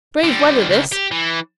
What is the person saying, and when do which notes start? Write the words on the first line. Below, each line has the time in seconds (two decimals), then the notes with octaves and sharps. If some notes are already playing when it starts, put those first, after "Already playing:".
Brave weather this!
0.24 D3 G3
0.69 C#2
0.92 G4
1.11 E3